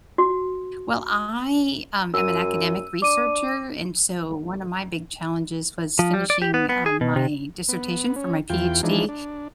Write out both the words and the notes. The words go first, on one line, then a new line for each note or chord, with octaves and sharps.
Well, I, um, am an academic researcher, and so one of my big challenges was finishing, uh, my dissertation for my PhD.
F#4
F#2 E6 D#7
D4 D6 D#7
F3
G3
D5
G4
B3
B3
G#4
B2
C3
B3
C#4
E2 F4 G5
E3 F3 G#3 D4 D#4
D4